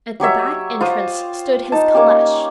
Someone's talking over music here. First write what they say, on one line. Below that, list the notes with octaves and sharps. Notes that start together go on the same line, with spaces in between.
At the back entrance stood his caleche.
F#3 G4 C#5 E5
F4 C5 D#6
D#4 A5
A#3 C#4 G4